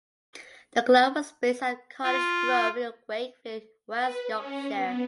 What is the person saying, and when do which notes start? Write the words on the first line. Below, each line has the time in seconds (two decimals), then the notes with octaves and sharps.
The club was based at College Grove in Wakefield, West Yorkshire.
2.03 F4
3.97 B4
4.31 C#4
4.73 B3